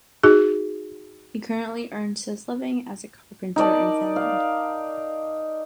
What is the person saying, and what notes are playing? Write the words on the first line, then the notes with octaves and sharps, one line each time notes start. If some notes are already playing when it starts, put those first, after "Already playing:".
He currently earns his living as a carpenter in Finland.
D#4 F#4 G#4
D#4 A#4 D5 A5
F5